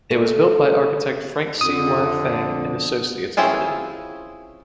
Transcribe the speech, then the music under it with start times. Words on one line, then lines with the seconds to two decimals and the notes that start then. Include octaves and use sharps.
It was built by architect Frank C Y Feng and Associates Limited.
0.11 A3
1.61 F2 D3 D#6
3.37 C4 C#4 E4 F4 G#4